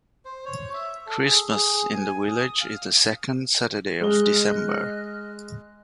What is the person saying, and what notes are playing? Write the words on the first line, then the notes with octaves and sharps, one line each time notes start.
Christmas in the Village is the second Saturday of December.
C5
C#5
E5
A4
G#4
G#4
G#4
G#5
D#6
F5
G#3 D#5 F6 F#6 G7